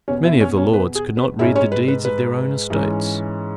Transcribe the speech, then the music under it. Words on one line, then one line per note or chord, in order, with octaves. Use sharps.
Many of the lords could not read the deeds of their own estates.
E2 B2 B3 C#4 C#5
E4 E5
C#4 C#5
C#4 C#5
B4
G#4
B4
G#2 G#3 C#4 E4 E5
C#4 C#5
B4
B4
B4
G#2 E3 G#3 C#4